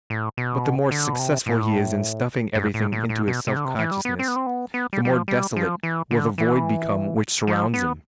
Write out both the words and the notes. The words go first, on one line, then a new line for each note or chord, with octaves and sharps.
But the more successful he is in stuffing everything into his self-consciousness, the more desolate will the void become which surrounds him.
A2
B2
D3
B2
C3
A2
G2
A2
A2
A2
B2
C3
D3
C3
E3
G3
B3
C4
B3
C4
B3
B3
G3
G3
F3
G3
F3
E3
D3
E3
F3
B3